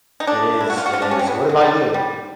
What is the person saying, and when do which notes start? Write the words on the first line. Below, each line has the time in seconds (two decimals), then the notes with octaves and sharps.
It is, it is. What about you?
0.20 D#4
0.27 D4
0.60 E4
0.70 F#4
0.77 F4
0.86 F#4
0.94 F4
1.02 D4
1.11 C#4
1.19 C4
1.27 B3
1.49 F#3
1.61 G3
1.94 G3